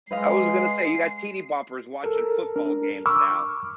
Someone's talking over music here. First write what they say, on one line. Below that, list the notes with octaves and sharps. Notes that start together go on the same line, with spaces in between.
I was gonna say you got tv boppers watching football games now,
G#3 B4 D#5 F5 C7
A4 A#4
D4 A#4
B5 C#6 D6 E6 F6